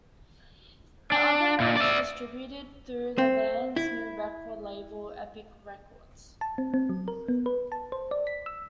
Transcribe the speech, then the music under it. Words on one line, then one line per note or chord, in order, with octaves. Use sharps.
The album was distributed through the band's new record label, Epic Records.
D4
A#2
D5 E5
C4
E4
A5
C4
C4
F#3
A#4
B3
B4
A5
C5
D5
B6
E6